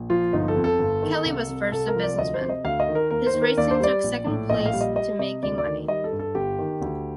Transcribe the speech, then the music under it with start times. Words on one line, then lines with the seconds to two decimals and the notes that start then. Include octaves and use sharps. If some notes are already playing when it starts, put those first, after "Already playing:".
Kelly was first a businessman; his racing took second place to making money.
Already playing: A#1
0.10 F3 F4
0.33 G1 D#4
0.48 A4
0.56 F2
0.64 A4
0.79 G1
1.02 D#3
1.26 C2
1.49 C3
1.72 C2 A4
1.87 A#4
1.95 F3
2.03 D5
2.18 D2 D#5
2.34 C5
2.41 C3
2.49 D#5
2.65 D2 F5
2.80 D#5
2.88 D#3
2.95 A#4
3.11 D#2 A#4
3.26 C5
3.34 D#3
3.42 A#4
3.57 D#2 D5
3.71 C5
3.80 G3 D5
4.04 A#1
4.27 A2
4.50 A#1 D#5
4.65 F5
4.73 G3
4.81 D#5
4.96 G3 D#5
5.19 C3 D#5
5.43 D2 D5
5.58 D5
5.65 D#3
5.88 G3 D#5
6.04 A4
6.12 G2
6.19 A4
6.35 G1 G4
6.59 D#3
6.82 D2